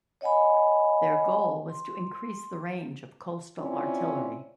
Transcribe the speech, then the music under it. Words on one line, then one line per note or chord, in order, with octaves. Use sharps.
Their goal was to increase the range of coastal artillery.
C#5 D#5 F#5 G#5 B5
C6
C4 C#4 E4 F4 C#5 D5